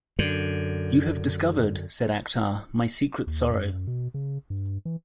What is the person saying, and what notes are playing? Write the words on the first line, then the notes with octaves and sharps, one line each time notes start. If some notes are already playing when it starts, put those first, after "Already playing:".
"You have discovered," said Akhtar, "my secret sorrow."
F#2 D3
D#2
F#2
B2
C#3
G2
E3